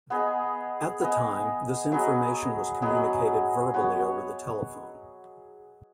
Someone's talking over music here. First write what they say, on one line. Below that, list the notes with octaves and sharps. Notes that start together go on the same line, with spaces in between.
At the time, this information was communicated verbally over the telephone.
B3 G#4 D#5
B3 G#4 D#5
F#3 B3 G#4 D#5
F#3 B3 G#4 D#5
B3 F#4 C#5